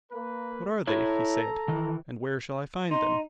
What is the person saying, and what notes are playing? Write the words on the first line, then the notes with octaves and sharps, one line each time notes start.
What are they, he said, and where shall I find them?
A#3 B4
E4 A4 C#5 A#5
D#3 E3
D#4 C6